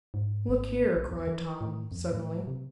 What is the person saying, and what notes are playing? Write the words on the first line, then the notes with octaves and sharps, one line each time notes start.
"Look here!" cried Tom, suddenly.
G#2
G#1
A#1
E2
E3
A2
F2
A2
C3